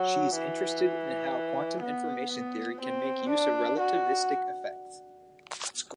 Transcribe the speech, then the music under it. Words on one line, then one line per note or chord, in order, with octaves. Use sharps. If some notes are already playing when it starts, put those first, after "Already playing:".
She is interested in how quantum information theory can make use of relativistic effects.
Already playing: F#3
E3
B3
B3
C4
D4
F#4